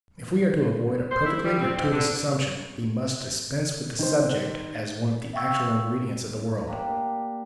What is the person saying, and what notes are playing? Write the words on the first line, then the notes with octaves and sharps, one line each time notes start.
If we are to avoid a perfectly gratuitous assumption, we must dispense with the subject as one of the actual ingredients of the world.
C5
E4
G3
C4
G#2
D3
D#3 C5
E5 F5 G5 C#6 E6
A#3 D4 G4